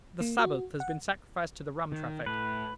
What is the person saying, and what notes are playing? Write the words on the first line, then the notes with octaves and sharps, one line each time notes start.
The Sabbath has been sacrificed to the rum traffic.
A#3
F#4
F#5
D#3
A2 B4